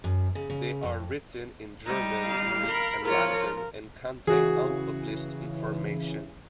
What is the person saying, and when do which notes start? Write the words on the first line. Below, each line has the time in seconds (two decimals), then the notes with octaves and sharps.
They are written in German, Greek, and Latin and contain unpublished information.
0.04 F#2
0.35 C#3
0.50 C#3
0.83 F2
1.86 G3 D#4
2.26 F5
2.66 A#4 B5
3.05 F3 F4 A#4 C#5
3.33 A#4
4.27 C#3 E3 F#4 G#4